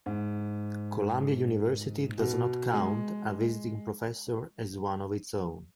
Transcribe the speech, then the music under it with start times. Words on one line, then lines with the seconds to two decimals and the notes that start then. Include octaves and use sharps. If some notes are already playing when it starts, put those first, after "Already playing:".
Columbia University does not count a Visiting Professor as one of its own.
0.06 G#2
2.19 B2
2.73 G#3